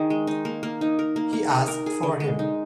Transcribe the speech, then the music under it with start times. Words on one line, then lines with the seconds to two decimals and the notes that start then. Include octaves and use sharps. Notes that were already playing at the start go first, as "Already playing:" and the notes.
He asked for him.
Already playing: D#3 D#4 G#4
0.10 G#3
0.27 D#4
0.45 A#3
0.63 A#3
0.81 D#4
0.99 A#4
1.16 A#3
1.33 A#3
1.50 D#4
1.68 A#4
1.86 G#4
2.03 D3
2.20 G#3
2.39 D#4